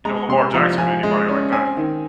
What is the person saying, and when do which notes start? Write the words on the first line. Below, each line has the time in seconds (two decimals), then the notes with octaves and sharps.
you know, Lamar Jackson or anybody like that
0.05 G#3 A#5
0.29 C3 C6
0.54 F3 A#5
0.78 F3 G#5
1.03 G#3
1.28 C#4
1.52 C4 G#5
1.77 D#3